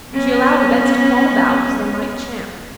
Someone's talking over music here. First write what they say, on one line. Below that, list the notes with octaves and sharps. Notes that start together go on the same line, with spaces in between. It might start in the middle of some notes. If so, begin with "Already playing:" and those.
She allowed events to fall about as they might chance.
B3 C#4